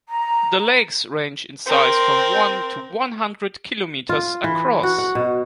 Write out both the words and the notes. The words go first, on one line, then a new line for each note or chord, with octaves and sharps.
The lakes range in size from one to one-hundred kilometers across.
A#5
C4 A#4
F4
E3
F#4
F#5
B2